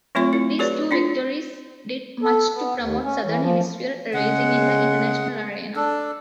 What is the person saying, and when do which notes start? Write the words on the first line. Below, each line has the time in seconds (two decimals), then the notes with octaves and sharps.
These two victories did much to promote Southern Hemisphere racing in the international arena.
0.15 F#3 A3 C4 F4 C#5 C#6
0.33 E4
0.59 F#4 G#4 B4 C#5 D5
0.91 D4 E4 F4
2.22 A4
2.54 B3
2.80 D#2
3.04 C#4
3.26 E3
3.41 F3
4.14 C#3 G#3 F#5
5.76 D4 A4